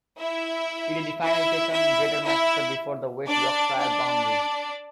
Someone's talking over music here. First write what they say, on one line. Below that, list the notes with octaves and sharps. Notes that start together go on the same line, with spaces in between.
It is the final station in Greater Manchester before the West Yorkshire boundary.
E4 E5
E4 E5
E4 E5
E4 E5
D4 D5
D4 D5